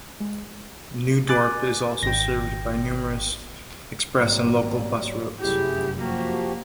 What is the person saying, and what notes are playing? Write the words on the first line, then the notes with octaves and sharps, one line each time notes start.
New Dorp is also served by numerous express and local bus routes.
G#3
G#5 D6 F#6 A6
G#1 G5 A#6
G#1 F#3 G3 A#3
F1 F#2 E4 G4 G#4
F3 A#3 F#4 G4